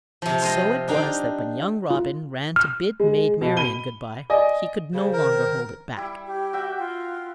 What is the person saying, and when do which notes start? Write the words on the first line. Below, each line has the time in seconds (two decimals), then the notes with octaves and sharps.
And so it was that when young Robin ran to bid Maid Marian good-bye, he could no longer hold it back.
0.22 C3 F3
0.42 F4 C5 D#5
0.88 D4 D#4 F5 G5
1.90 F4
2.56 F6
3.00 G#3
3.41 B2
3.57 B5 D#7 G7
4.30 D5 D#5 G#5
4.94 C#3 C5
5.13 D#3 A#4
5.97 G3 E4
6.26 G4
6.53 F#4 E5 G5
6.78 F4